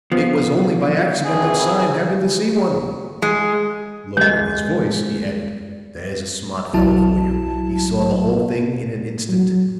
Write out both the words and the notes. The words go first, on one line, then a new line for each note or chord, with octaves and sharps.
It was only by accident that Sime happened to see one." Lowering his voice, he added: "There's a smart fellow for you; he saw the whole thing in an instant.
F3 B3
G#1 E3 G#4
G#3
G#3 C#5 D#5
B1 F#3 E4 A5
F#3